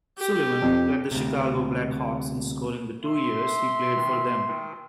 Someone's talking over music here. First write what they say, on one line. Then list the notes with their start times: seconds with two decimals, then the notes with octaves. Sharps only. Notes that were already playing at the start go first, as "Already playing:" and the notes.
Sullivan led the Chicago Blackhawks in scoring the two years he played for them.
0.18 G4
0.62 F2
1.12 D2 C3
3.04 E5 C6